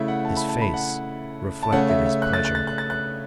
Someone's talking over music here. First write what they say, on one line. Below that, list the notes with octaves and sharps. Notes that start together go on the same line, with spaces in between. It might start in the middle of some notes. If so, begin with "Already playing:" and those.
His face reflected his pleasure.
Already playing: C#3 A3 E4 E5
F#5
A5
B5
A5
B5
F#5
A5
C#3 A3 C#4 F#5
E5
E5
F#6
A6
F#6
A6
F#6
A6
F#6